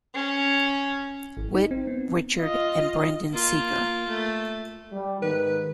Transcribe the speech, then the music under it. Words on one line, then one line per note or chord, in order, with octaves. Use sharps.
Witt, Richard and Brendan Segar.
C#4
G#1
D#4
C4
B3
F4 D#5
A#3 F4
A3
G3
G#2 D#3 B4